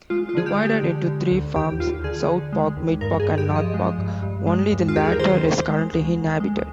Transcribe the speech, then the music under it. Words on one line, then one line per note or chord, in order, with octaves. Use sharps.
Divided into three farms, Southpark, Midpark and Northpark, only the latter is currently inhabited.
G#3 F4
F4
D3 G#4
G4
G#3
G4
D3
D3
D2
D#2 G4
D#2 F4
D3 G#4
D3
G#3
D#2
G2 A#4
G#4
G2
G4
F3
D#5
G#3
G2
G2
G#3
D#2
F4
D#2 G4
G#4
A#4
D#3 C5
D#2
G#3
D2
D2
G#3